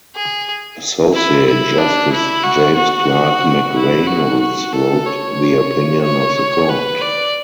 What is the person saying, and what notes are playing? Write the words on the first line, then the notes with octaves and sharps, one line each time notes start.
Associate Justice James Clark McReynolds wrote the opinion of the Court.
G#4
E4
E4
D4
E4
F#4
F#4
E4
F#4
F#4
A4
C#5
C#5
B4
D5